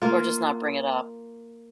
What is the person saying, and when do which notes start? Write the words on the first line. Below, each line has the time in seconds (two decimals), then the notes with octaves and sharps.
Or, just not bring it up.
0.02 A#3 F4